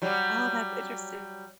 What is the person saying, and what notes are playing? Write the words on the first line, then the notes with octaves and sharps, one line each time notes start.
Oh, that's interesting.
F#3 G3